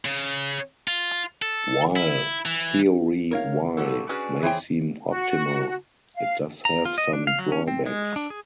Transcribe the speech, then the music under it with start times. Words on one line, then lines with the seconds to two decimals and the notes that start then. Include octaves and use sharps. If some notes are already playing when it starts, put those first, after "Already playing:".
While "Theory Y" may seem optimal, it does have some drawbacks.
0.05 C#3
0.88 F4
1.42 A4
1.96 E4
2.46 E3
3.31 A#4 C#5 F5
3.77 A#2 G3 F#4 A4
4.09 C#4 D4 F#4 G#4 B4 D5
4.43 E3 G#4 C5 C#5 G5
5.10 F#4
6.16 F5
6.65 A#5
6.85 F4
6.98 D#5
7.13 D4
7.27 F5
7.39 F#3
7.52 C#4
7.68 C4
7.86 G#3
8.16 D4
8.30 G#4